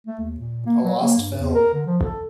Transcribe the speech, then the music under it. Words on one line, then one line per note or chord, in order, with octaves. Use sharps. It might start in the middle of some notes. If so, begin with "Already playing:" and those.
A lost film.
A3
D#2
A#2
A#3
F#3
A#3
G2
E2
A#4
D3
F3
A4